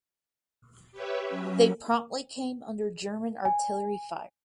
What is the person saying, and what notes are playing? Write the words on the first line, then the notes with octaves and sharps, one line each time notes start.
They promptly came under German artillery fire.
G4 B4 C#5 E5
F#3 C#4
G#5